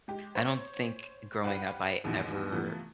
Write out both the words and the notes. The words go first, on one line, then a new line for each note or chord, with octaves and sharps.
I don't think growing up I ever
G#3 G4
C5 C#5
G4 B4 C5 F5 F#5
A#1 D#2 G#2 B2 E3
C3 E3 F3 A3 B3